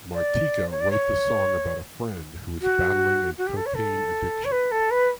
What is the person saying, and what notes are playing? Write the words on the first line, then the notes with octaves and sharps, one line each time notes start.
Martika wrote the song about a friend who was battling a cocaine addiction.
D5
C#5
D5
C#5
F#4
F#4
G4
A4
C#5
A4
C#5
B4
A4
B4